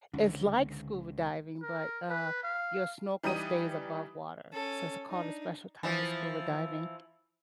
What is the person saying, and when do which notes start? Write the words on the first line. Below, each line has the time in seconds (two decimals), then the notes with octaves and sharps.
it's like scuba diving, but, uh, your snorkel stays above water, so it's called a special type of scuba diving.
0.14 C#2 G#2 D3
1.62 A#4
2.09 B4
2.43 F5
3.23 E3 G3 D#4 G4 D#6 D#7
4.53 C#4 A4
5.10 D4 D#4
5.83 E3 F3